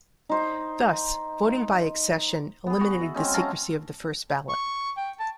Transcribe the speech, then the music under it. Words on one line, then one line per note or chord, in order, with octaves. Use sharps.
Thus, voting by accession eliminated the secrecy of the first ballot.
D#4 C5
B3 G#4
F#4
E5
G#3 C4 C#4 D#4
C#4 F5 A5 A#5
C#6
G5
A5